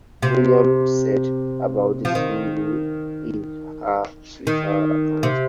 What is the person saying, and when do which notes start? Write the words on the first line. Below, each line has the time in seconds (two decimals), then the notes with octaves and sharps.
Williams said about the single in her Twitter account.
0.22 C3
2.05 F3
2.15 D#3
4.47 D#3
5.23 C3